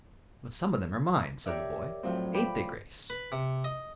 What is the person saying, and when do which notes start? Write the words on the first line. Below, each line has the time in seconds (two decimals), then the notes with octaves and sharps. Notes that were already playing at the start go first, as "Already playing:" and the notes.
"But some of them are mine," said the boy; "ain't they, Grace?"
1.46 G4 A#4 C#5 D5 E5
2.03 A2 F3 F#3 C4
2.34 G5 B5 D6
3.10 B4
3.32 C3
3.64 D#5